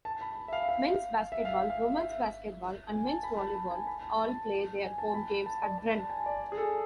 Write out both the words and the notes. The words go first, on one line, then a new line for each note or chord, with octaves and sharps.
Men's basketball, women's basketball, and men's volleyball all play their home games at Bren.
A5
B5
E5
F5
F5
E5
F5
E5
F5
E5
E5
G#5
A5
B5
B5
A5
A5
G#5
B5
A5
A5
G#5
A5
B5
A5
D5
A5
B5
A5
G#5
D5
G#4
A4